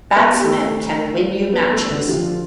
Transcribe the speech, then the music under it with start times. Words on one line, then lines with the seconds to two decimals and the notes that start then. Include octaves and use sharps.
Batsmen can win you matches.
0.15 B3 B4
0.34 G4
0.43 A3 A4
1.53 B3 B4
1.71 A3 A4
1.90 D3 D4
2.00 G4
2.08 F3 F4